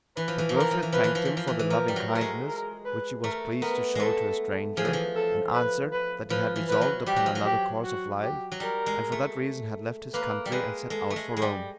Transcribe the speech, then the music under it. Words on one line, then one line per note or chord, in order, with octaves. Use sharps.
But Wilfrid thanked him for the loving-kindness which he was pleased to show to a stranger, and answered, that he had resolved upon another course of life, and for that reason had left his country and set out for Rome.
E3 B4
F3
E3
F3
A#4
E3
F3
E3
F3 B4
E3
F3
E3
F3
E3
E3
F3 A#4
G3
F#3
A#4
A3
G#3
A#4
B4
A3 A#4
B3 A#4
G#3 A3 A4
F3 G#4
E3
F3
A4
B4
B4
F3 B4
E3
F3 B4
F#3
G3 G4
F#3
F3
F#3
G4
F#4
G4
F#3
G3 A#4
G#3
A3
A#3 B4
G3
G#3 B4
G#3 A4
A3
G#3
G#4
G#3
G3